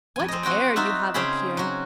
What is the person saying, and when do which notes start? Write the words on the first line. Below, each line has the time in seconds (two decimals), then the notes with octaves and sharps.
What air you have up here!
0.16 F2 G#5
0.28 C4 D#5
0.43 C4 F#4 D#5 G5
0.76 D#4 F4 F#4 E5 F#5
1.14 C#3 C4 C#4 G#4 G5 B5
1.57 F#3 F#4